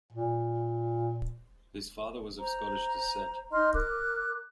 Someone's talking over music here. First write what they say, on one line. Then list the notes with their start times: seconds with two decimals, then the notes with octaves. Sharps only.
His father was of Scottish descent.
0.12 A#2
2.38 C5 A#5
3.52 D#4 D#5 C6 F6
3.74 A#4 D6 F#6